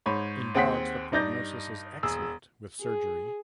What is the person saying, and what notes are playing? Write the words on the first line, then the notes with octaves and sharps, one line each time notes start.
In dogs, the prognosis is excellent with surgery.
G#2 C#5 B5
D#2 C4 G#4 F#5 C6 B6
G2 D#4 D5 G6 A#6
E1 G#4 E6
G#4